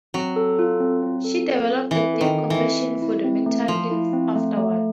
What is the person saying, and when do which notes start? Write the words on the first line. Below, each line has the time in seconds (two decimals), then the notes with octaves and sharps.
She developed a deep compassion for the mentally ill afterward.
0.14 F#3 C4
0.36 A4
0.59 F4
0.80 C4
1.02 C4
1.24 A4
1.47 F4
1.69 C4
1.91 E3 C4
2.14 A4
2.21 D#3
2.36 F4
2.50 E3
2.58 C4
2.80 A3
3.02 E4
3.24 C4
3.46 A3
3.68 F3 A3
3.91 E4
4.13 C4
4.35 A3
4.57 A3